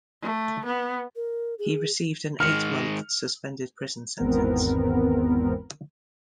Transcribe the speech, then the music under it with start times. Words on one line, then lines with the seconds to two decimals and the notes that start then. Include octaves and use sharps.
He received an eight-month suspended prison sentence.
0.22 A3
0.66 B3
1.16 A#4
1.59 G#4
2.40 D#3 G#3 F6 C#7
4.18 G#1 E2 B3 C4 A#4